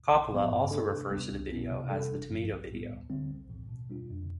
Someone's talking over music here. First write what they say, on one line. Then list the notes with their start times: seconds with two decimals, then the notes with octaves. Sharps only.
Coppola also refers to the video as the "tomato video".
0.10 B1
0.31 A2 F3 B3
0.51 G2
0.71 E3 A3 D4 A4
0.90 C3
1.11 G3 B3 D4
1.31 C2
1.50 B2 B3 E4
1.71 C3
1.90 E3 G3 D4 A4
2.11 G1
2.30 G2 F3
2.50 B1
2.70 A2 G3 B3
2.90 D2
3.10 D3 G3 C4
3.30 B1
3.50 A2 E3
3.69 B2
3.90 G3 D4 F4
4.10 F2